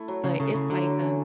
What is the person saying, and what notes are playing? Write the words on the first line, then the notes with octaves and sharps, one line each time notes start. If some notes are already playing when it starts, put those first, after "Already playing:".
but it's like a
Already playing: A3 E4
F#3
C#3 F#3
C#3 A3
C#3 E4
D3 F#3
F#3
C#4